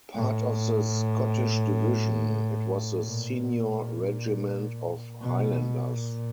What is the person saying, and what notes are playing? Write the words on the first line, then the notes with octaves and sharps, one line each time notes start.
Part of the Scottish Division, it was the senior regiment of Highlanders.
A2
A#2
B2
A#2